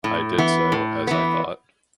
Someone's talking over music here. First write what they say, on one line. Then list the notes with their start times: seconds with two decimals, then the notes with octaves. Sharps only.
I did so, as I thought.
0.04 A2
0.38 E3 B3
0.72 A2
1.07 E3 B3